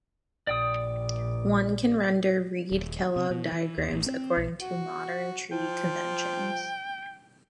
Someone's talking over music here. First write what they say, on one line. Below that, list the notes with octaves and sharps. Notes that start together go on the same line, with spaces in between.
One can render Reed-Kellogg diagrams according to modern tree conventions.
A#1 D5 G5 D#6
D#1
C3
B2
E3
D#2
A1
C4
A#1
F#4
F3 G5